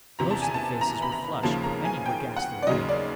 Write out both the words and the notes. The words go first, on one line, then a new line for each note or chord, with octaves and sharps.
Most of the faces were flushed, but many were ghastly white.
E2 C3 E3 A#5
A5
G#5
A5
A#5
B5
A#5
D#2 C#3 F3 A#3 A5
A#5
G#5
G5
F#5
D5
D#2 C#3 F#3 D#5
D5